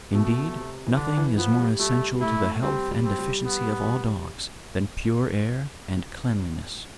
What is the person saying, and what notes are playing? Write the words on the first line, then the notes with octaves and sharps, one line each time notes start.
Indeed, nothing is more essential to the health and efficiency of all dogs than pure air and cleanliness.
B2 A3
C3
E3
D3 D4
E3
F3 B3
G3
G3 A3
A3 E4
G3 C4
G3
C4
G3
B3